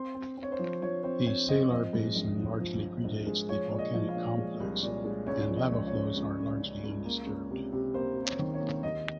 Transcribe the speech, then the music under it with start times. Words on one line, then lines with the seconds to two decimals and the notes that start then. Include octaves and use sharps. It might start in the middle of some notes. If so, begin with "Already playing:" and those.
The salar basin largely predates the volcanic complex and lava flows are largely undisturbed.
Already playing: C4 C6
0.15 C4
0.37 C4
0.43 C#5
0.52 C5
0.59 F3
0.82 F3 C#5
1.03 C4 C5
1.26 C4 C#5
1.49 C4 D#5
1.71 F3 D#5
1.93 G#2
2.15 A#1
2.37 F3
2.60 F3
2.82 F3
3.04 A#1
3.27 G#3
3.49 F3 C#5
3.71 A#2
3.79 D#5
3.94 F3
4.08 F5
4.16 A#2
4.38 G#3
4.60 C2
4.83 A#2
5.05 G#3
5.27 C#2 C#5
5.49 F3
5.56 D#5
5.72 C#2
5.87 C#5
5.94 C#3
6.16 C#2
6.39 C#3
6.60 C#3
6.84 C#2
7.05 A#3
7.27 C#2
7.50 C3
7.73 C3
7.94 A#3 C5
8.16 C3
8.24 C#5
8.39 D#3
8.54 C#5
8.61 A#3
8.83 D#2 D#5